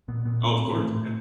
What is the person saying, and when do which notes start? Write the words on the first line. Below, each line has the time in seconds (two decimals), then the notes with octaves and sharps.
Oh, of course, yeah.
0.08 A#2 B3
0.25 A#2 B3
0.43 A2 C4
0.60 A2
0.78 A2 A3
0.96 A2